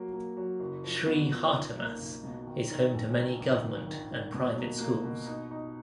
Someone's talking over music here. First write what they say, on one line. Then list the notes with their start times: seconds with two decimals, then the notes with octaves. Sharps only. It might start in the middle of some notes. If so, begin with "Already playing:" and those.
Sri Hartamas is home to many government and private schools.
Already playing: F#3 A#3
0.13 A#3
0.37 F#3
0.60 F#1
0.84 F3
1.06 B3
1.31 F3
1.53 B1
1.78 A#3
2.01 B1
2.23 B2
2.47 D#3
2.70 D#3
2.94 A#1
3.17 D#3
3.41 G#1
3.64 G#1
3.88 D#3
4.10 G#2
4.34 B2
4.58 A#3
4.81 A#3
5.04 B2
5.27 D#4
5.51 D#4